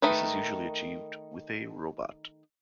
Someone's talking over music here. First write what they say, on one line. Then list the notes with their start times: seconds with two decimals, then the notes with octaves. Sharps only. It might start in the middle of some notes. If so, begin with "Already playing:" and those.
This is usually achieved with a robot.
0.02 D#3 A3 D#4 A#4 B4